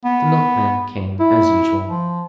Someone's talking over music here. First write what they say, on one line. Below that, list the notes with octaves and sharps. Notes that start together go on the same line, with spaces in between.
The milkman came as usual.
B3
E4
F3